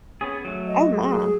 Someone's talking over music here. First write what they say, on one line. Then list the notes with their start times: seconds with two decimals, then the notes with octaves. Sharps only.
Oh, my.
0.21 B3 C#4 G#4
0.45 F#3 A3
0.67 D#5
1.02 G#4